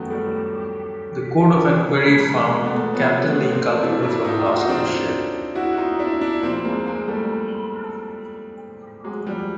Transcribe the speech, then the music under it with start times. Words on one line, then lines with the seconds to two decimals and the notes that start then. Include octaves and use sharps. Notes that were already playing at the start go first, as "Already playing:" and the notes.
The Court of Enquiry found Captain Lee culpable for the loss of his ship.
Already playing: F#2 D#3 F3 F#3 A3 B3
0.10 G3 A3
2.07 G#3 A#3
2.36 G#3 A#3
2.65 A3 B3
2.94 A#2 F3 B3 C#4
3.23 A3 B3
3.52 A#3 C4
3.82 D4 E4
4.03 D4 E4
4.24 D#4 F4
4.46 F4
4.55 F#4
4.61 D#4 F4
4.69 C4 D4
5.55 E4 F#4
5.73 F#4
5.77 D#4 F4
5.99 D4 E4
6.21 D4 E4
6.43 A#2 F3 A#3 C4
6.65 G#3 A#3
6.87 G#3 A#3
7.08 G3 A3
9.04 F#3 G#3
9.27 F3 G3